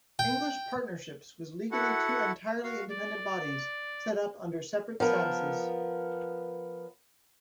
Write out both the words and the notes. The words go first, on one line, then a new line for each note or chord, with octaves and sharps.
English Partnerships was legally two entirely independent bodies set up under separate statutes.
G5
E4 F#4 A4 F#5
F#4 F5
D5
F3 B3 A#4